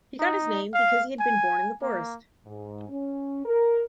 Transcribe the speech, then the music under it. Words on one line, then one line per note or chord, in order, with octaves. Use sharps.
He got his name because he had been born in the forest.
D#4
F5
G#5
A#3
G#2
C#4
A#4